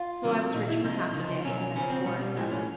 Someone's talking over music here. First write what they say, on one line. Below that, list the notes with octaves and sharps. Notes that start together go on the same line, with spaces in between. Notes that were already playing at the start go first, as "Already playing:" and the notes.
"So I was rich for half a day, and then poor as ever."
Already playing: F4
C3 D#3 F#3
A#2 F#3 D#4
E4
C3 F3 D#4
C#3 F3 D#4
B2 F#3 C#4
C#4
C#3 F3 C#4
C4
B2 G3 C#4
G3
A2 F3 G#3
C#4